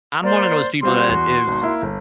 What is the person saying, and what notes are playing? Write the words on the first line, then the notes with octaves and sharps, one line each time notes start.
I'm one of those people that is,
A#3 C5 D5
G3 C4 F4 F#4 C6
E2
G#1 B2
A#3 E4
G1